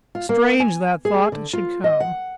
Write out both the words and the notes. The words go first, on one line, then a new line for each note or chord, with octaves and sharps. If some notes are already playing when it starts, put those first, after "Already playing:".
Strange that thought should come!
F4
A#3
G#5
G#4
D3
F4
D#5
F#5